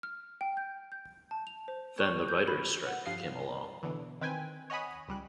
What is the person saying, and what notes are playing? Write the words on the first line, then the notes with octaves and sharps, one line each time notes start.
Then the writers strike came along.
F6
G5
G6
G6
A5
F7
C5
C#6
G6
B5
F#5
G2 F3 F5 D#6 C7
B2 D3 E3
D#3 C4 B4 G5 G#5
C#5 D#5 F#5 G#5 B5 D#6
C#2 G3 F#6